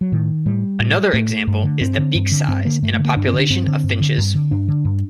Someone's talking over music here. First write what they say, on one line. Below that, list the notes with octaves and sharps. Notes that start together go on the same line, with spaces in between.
Another example is the beak size in a population of finches.
F#3
A2 D#3
A2 G3
A2
A2 A3
G2
D3
G2 C4
D3
G2
D3
G2 C4
D3 A#3
G2 A3
A3
D3
A#3
G2 D4
C4
D3
D4
G2 C4
D3
G2
D3
G2
D3
G2 D4
D3
G2